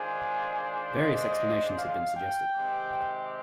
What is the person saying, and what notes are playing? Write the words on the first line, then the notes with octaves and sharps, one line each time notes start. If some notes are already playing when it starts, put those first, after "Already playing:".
Various explanations have been suggested.
Already playing: D#3 G#3 D4 F4 C5 G#5
D#5
F5
G5
C3 D#3 G#3 C4 G4